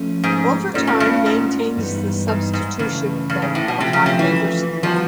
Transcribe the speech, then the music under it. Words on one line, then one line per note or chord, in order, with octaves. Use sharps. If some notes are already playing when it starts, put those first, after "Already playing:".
Overtime maintains the substitution effect at a high labour supply.
Already playing: F3 A3 C#4
G#2
G#2 A3 C#4 F4 A4 D5
G2
G2
G#2
G2 E3 G3 B3 D#4
G#2
G#2
G2 C#3 E3 A3
G2
G#2
A2
B2
C3 F3 A3 C#4 F4
C#3
C3
E3
E3 F3 G3 B3 D#4 F#4